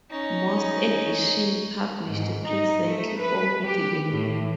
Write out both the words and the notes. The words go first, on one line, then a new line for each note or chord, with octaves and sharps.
Most editions published presently omit the name.
C#4 D#4
G#2
D#4
A3
B4
G4
A2